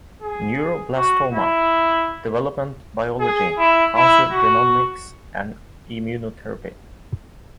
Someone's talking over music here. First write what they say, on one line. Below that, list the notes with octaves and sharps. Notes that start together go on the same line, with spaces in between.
Neuroblastoma: developmental biology, cancer genomics and immunotherapy.
G#4
F#4
E4
G#4
E4
E4
F#4